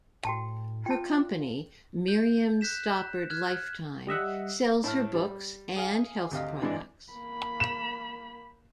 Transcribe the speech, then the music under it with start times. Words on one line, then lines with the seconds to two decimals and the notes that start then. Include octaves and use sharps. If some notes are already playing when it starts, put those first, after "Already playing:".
Her company, Miriam Stoppard Lifetime, sells her books and health products.
0.25 A2 F#4 G5 A5
0.86 F4 G5 A5
2.08 G6
2.61 F#6 G6 B6 E7
3.30 F6 F#6 G#6
4.07 G3 D#5 E5 F#5
4.84 A2 A5 F6
5.14 G3
5.76 G#4 F5
6.31 D2 C3 G4 D#5 F5
6.60 C3 E3 G#3 D4
7.13 A#3 B5
7.60 E7